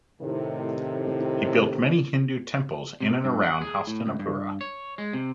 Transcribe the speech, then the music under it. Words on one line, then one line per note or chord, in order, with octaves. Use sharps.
He built many Hindu temples in and around Hastinapura.
A2 C3 D#3
C3
G2
F#5
G#4
A2
C#2
G2
C#5
G#3
C3